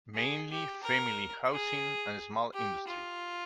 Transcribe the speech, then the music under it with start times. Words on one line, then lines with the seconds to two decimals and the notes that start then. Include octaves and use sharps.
Mainly family housing and small industry.
0.16 G#4
0.51 G4
0.84 A#4
1.52 G#4
2.54 G4
2.88 F4